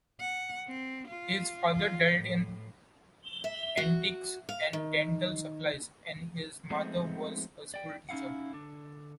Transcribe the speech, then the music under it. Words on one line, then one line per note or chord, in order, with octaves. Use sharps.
His father dealt in antiques and dental supplies, and his mother was a schoolteacher.
F#5
C4
F4
F4
A2
E5
F#4
F5
D#3
F3 G#3 A3 B3 C4 D#4
D5 G5
C#4 D#4 E4 F5 F#5
D3 D4